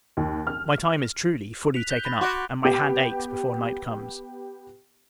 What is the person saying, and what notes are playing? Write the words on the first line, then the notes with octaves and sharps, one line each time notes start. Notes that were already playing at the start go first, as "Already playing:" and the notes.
My time is, truly, fully taken up, and my hand aches before night comes.
D#2
F6
F#6 B6 F7
F#6 G6 G7
B5 A6 A#6
F#4 C6 D6 D7
B3 G4 D6 G6